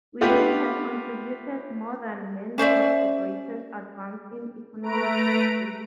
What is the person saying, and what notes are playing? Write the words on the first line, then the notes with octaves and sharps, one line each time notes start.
Women have contributed more than men towards the greatest advance in economic history.
A3 B3 F4 G4 B4
C#4 C5 D5 E5
A3 B4 A#5 D7